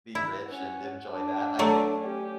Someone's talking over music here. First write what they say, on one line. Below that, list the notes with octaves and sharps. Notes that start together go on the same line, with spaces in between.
be rich and enjoy that. I think
E4
C#4 F#5
D4
F#3 A3 D5
C#4 G4